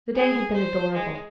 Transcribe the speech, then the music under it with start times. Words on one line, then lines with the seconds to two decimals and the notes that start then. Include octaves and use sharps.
The day had been adorable.
0.15 G#4
0.53 C5
0.94 G#3